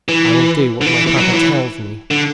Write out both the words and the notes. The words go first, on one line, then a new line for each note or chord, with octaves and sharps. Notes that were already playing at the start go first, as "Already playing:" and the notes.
"I will do what my papa tells me."
E3
D3
E3
E3
F#3
E3
D3